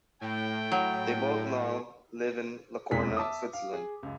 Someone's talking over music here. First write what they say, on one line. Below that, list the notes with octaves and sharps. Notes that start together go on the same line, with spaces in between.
They both now live in Locarno, Switzerland.
A2 G5
F#3
E1 F2 G#3 B6
E5 A5 D6 D#6
F5
G#4
C#2 F#2